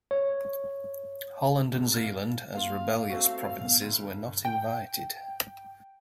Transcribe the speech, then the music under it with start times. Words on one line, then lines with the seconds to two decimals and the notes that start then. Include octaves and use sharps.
Holland and Zeeland, as rebellious provinces, were not invited.
0.11 C#5
1.72 E2 G2 C3
1.92 F5 F6 A6
2.55 A#3 F4 F5
3.10 A3 C4 F#4
3.61 G2 B2
3.81 D2
4.45 G5